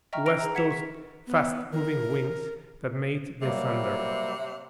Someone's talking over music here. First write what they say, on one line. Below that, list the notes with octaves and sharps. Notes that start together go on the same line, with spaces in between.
It was those fast moving wings that made the thunder.
D#5 E5 G5 A#5 C#6 F6
B4 F6 A#6 D7 F7
G#4 A#5
F#5 G#6 B6 C#7 E7 F7
C#6 B6
B3
A#4
C3 F#3 G3 A#3